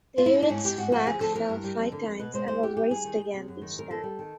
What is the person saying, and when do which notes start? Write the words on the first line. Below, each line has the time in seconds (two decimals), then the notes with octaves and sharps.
The unit's flag fell five times and was raised again each time.
0.18 F4
0.26 E4
0.34 D#4
0.42 D4
0.50 G#2 C#4
0.64 G#2 G4
0.78 G#2 F#4
0.92 F3 F#4
1.07 D2 G#4
1.20 F3 A4
1.35 E3 A#4
1.49 G2
1.64 G3
1.77 F2
1.92 D3
2.05 F2
2.19 B2 B4
2.34 G#3 C5
2.48 E2 C5
2.63 E3 G4
2.77 G3 G4
2.90 G3 G#4
3.05 D#3
3.20 G3
3.33 C3
3.48 F#2
3.61 D#3
3.75 F#2 A#4
3.90 D#3 A4
4.04 G3
4.19 D#3